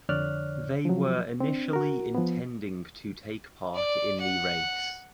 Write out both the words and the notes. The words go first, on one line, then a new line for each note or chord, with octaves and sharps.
They were initially intending to take part in the race.
F2 D3 C#5 D5 F6 F#6
F3 F#3
C4 D4
F#4 A#4
F3 B3
D5
F#5